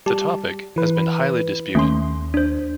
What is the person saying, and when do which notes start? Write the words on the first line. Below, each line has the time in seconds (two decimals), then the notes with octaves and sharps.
The topic has been highly disputed.
0.06 G3 G4 A5
0.76 E3 B4
1.75 D#2 A3 C#4 C6
2.34 D4 C5